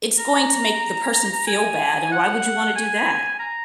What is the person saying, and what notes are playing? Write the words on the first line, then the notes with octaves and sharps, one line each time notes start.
it's going to make the person feel bad, and why would you wanna do that?
A#5
G#5
F#5
G#5
A#5